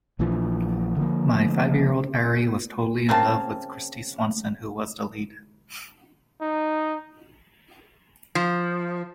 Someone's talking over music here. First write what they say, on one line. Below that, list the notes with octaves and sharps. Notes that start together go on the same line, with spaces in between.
My five-year-old Ari was totally in love with Kristy Swanson, who was the lead.
A#1 A#2 E3 F3
D3 F3 A#3
C#3 A#3 C4 A5
D#4
F3